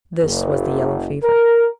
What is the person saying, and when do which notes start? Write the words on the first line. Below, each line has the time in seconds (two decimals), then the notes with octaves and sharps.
This was the Yellow Fever.
0.22 F#1
1.23 A#4